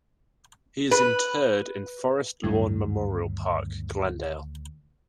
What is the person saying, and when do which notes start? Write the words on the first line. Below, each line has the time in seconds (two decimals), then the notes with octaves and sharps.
He is interred in Forest Lawn Memorial Park, Glendale.
0.91 B4
2.43 D2 G2 D#3 F#3